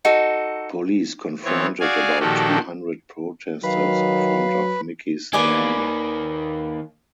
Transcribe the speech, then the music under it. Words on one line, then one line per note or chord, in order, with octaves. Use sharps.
Police confronted about two hundred protesters in front of Mickey's Diner.
D#4 F#4 A4
E3 B3 C4 C#5
F#4 G#4 D5 F5 G#5
A#2 D#3 F3 F#4 G4 A4
D#3 F#3 B4 F5
D#3 A#3 B4 D5 G#5